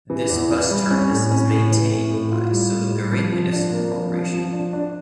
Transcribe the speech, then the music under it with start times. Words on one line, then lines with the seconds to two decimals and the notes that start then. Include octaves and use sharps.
This bus terminus is maintained by Siliguri Municipal Corporation.
0.10 E3
0.30 E2
0.50 E3
0.70 G3
0.91 C#4
1.11 A2
1.31 C#4
1.51 A2
1.71 E3
1.91 A2
2.11 A2
2.32 F4
2.51 G3
2.72 A2
2.92 G3
3.12 F3
3.32 F3
3.52 D4
3.72 A#3
3.93 F3
4.13 F3
4.33 F3
4.53 D4
4.73 D4